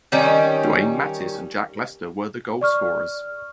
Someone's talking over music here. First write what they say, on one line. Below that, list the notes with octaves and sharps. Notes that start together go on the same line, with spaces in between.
Dwayne Mattis and Jack Lester were the goalscorers.
D#3 G3 C#4
D5 C#6 F6